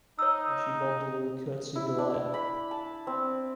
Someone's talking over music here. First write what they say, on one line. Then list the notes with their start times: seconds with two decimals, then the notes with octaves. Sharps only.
And she bobbed a little curtsey of delight.
0.19 D#4 C#5 E6
1.76 E4
1.98 D4
2.34 B5
2.71 A5
3.07 C4